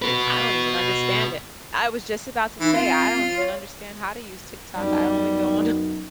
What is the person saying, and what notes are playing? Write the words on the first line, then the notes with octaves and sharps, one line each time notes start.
I don't even understand it, I was just about to say I don't even understand how to use TikTok, I only go on
F#4 B4
E3 D#4
C4 F4
C#5
F#2 G3 B3 D#4